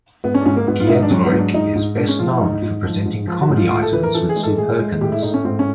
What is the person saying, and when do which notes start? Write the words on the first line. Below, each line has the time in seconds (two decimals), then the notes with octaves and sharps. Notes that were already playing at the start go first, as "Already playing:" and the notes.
Giedroyc is best known for presenting comedy items with Sue Perkins.
0.24 G#2 B3
0.34 C#4
0.41 D4
0.46 G#2 C#4
0.56 A#3
0.67 G#2 B3
0.80 F4
0.87 G#2 E4
0.95 D#4
1.02 D4
1.11 F#3 C#4
1.25 B3
1.32 G#2
1.39 D4
1.54 G#2 D#4
1.76 G#2
1.97 G#3 D4
2.09 C#4
2.19 F3 F4
2.30 E4
2.41 G#2 D#4
2.62 G#2
2.84 F3
3.06 G#2
3.27 F3 F4
3.42 F#4
3.49 G#2
3.56 F4
3.71 A2 F4
3.82 A4
3.93 E3 B4
4.03 A#4
4.14 E3 A4
4.29 G#4
4.36 G#3
4.43 A4
4.58 A2 G#4
4.79 G#3
5.01 A2 G4
5.12 E4
5.22 A2 D#4
5.34 C#4
5.44 G#2 C4
5.59 C#4